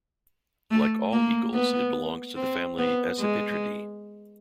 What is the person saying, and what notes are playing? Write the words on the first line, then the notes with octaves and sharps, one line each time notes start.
Like all eagles, it belongs to the family Accipitridae.
A3
A#3
B3
C4
B3
G#3